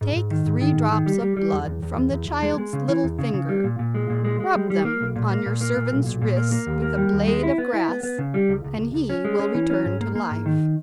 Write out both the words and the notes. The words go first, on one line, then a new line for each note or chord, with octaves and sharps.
Take three drops of blood from the child's little finger, rub them on your servant's wrists with a blade of grass and he will return to life.'
G#2
G#2
D#3
G#2
D#3
G#2
D#3
G3
G3
G3
E2
E2
E2
E2
E2
E2
G#3
G#3
C#3
E3
E2
C#3
C#3
G3
A#2
A#2
G#3
A#2
G#3
G#3
G3
G3
A#3
B1
A#2
A#3
A#2
A#3
A#2
B1
A#2
A#2
A#3
A#3
D#2
A#3
G3
D#2
G#3
E4
B3
E4
B3
B3
C#3
G3
C#2
C#2
C#2
C#2
C#4
G#3
C#4
E3
C#4
G#2
A#3
A#3
G#2
D#3